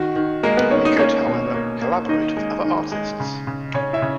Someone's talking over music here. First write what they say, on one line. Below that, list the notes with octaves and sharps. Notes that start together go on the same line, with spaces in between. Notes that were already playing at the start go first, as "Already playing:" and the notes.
He could, however, collaborate with other artists.
Already playing: D#3 F#4
D#3
G#3 A#3 A#4
B3 B4
D#3 C#4 C#5
D#4 D#5
A#3 C#4 C#5
B2
A#3
A#3
D#3 D#4 D#5
G#3
D#3
G#3
C#3
C#3
C#3 C#4 C#5
E4 E5
C#3